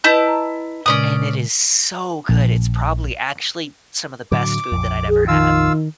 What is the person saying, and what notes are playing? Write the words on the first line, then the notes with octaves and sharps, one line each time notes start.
and it is so good. It's probably actually some of the best food that I'd ever had.
E4 B4 D#5 A5 G6
A#5
A#2 C#3 G#3 C#4 D5 D#6
A#1
A2 D3 F#3 D6
A#1 F2
G#4
D#3 F4 F5 E6